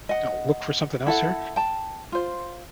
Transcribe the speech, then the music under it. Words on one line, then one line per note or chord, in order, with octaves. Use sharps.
you know, look for something else here,
D#5 F#5
E4 A4 F#5
G5 A5
F4 C5